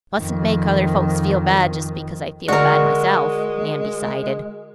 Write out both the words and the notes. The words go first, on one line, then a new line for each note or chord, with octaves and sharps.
"Mustn't make other folks feel bad just because I feel bad myself," Nan decided.
F2 D#3
D3 G#3 F#4 A#4